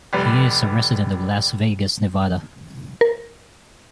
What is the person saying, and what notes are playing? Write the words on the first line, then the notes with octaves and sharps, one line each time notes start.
He is a resident of Las Vegas, Nevada.
F1 G3 B4
A#4